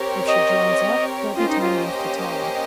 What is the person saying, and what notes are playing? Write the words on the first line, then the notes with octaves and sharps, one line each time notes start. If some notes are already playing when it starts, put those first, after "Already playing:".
If she joins up, there'll be time enough to tell her.
Already playing: C4 G4 A#4 C#5
D#5
A#3 C#4 F4 G4 C5 D#5
D#4
F4